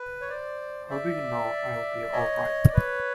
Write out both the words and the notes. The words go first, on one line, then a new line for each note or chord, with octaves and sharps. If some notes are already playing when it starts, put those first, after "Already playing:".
How do you know I'll be all right?
Already playing: B4
C#5
C5 D5
D5 E5
C#5 D#5
D5
B4 C#5